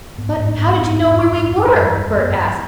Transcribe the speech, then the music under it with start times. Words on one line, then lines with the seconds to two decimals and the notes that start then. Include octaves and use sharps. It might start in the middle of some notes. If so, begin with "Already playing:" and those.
"But how did you know where we were?" Bert asked.
0.18 G#2 B3
0.35 G#2
0.41 A#3
0.52 G#2
0.62 B3
0.68 G#2
0.83 G#2
1.00 G#2
1.16 G#2
1.32 G#2
1.48 G2
1.65 G2
1.82 G2
1.98 G2
2.14 G2 B3
2.30 G2